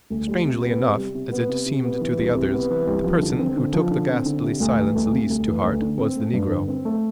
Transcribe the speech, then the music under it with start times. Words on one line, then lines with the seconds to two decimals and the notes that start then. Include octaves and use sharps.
Strangely enough, as it seemed to the others, the person who took the ghastly silence least to heart was the negro.
0.10 D2
0.27 G3
0.45 C3
0.62 B3
0.79 C3
0.97 G3
1.14 C3
1.32 B3
1.49 C3
1.65 C3
1.83 B3
2.01 E3
2.18 C2
2.35 C3
2.53 B3
2.70 E3
2.87 C2
3.04 F3
3.22 D3
3.39 C4
3.56 D3
3.73 F3
3.91 D3
4.09 C4
4.25 D3
4.43 C3
4.60 D2
4.77 E3
4.95 D2
5.12 C3
5.29 D2
5.47 E3
5.64 D2
5.81 D3
5.99 C4
6.16 A3
6.33 G2
6.51 D3
6.68 C4
6.85 A3